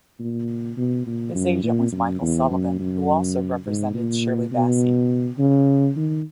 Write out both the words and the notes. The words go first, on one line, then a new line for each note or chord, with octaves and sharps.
His agent was Michael Sullivan, who also represented Shirley Bassey.
A#2
B2
A#2
F#2
A#2
F#2
E2
F#2
F#2
G#2
A#2
B2
C#3
D#3